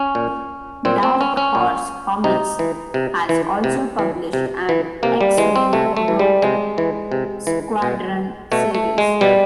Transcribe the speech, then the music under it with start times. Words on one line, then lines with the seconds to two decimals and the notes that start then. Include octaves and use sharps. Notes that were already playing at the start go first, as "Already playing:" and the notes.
Dark Horse Comics has also published an "X-Wing Rogue Squadron" series.
Already playing: C#4
0.15 A#2
0.85 A#2 C4
1.03 C4
1.21 C#4
1.37 C#4
1.55 A#2
2.24 C3 D#4
2.59 E3
2.94 C3
3.29 E3
3.64 C3
3.99 E3
4.33 C3
4.69 E3
5.03 C3 A#3
5.21 G3
5.37 E3 G#3
5.56 C4
5.73 C3 A3
5.97 A3
6.08 E3
6.19 G3
6.42 C3 G#3
6.78 E3
7.12 C3
7.47 E3
7.82 B2
8.52 B2 A3
8.75 A3
8.98 G#3
9.21 B2 G3